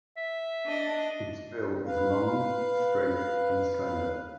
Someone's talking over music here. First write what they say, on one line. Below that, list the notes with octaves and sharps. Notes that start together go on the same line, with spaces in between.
Its bill is long, straight, and slender.
E5
D4 D#5
B4 F5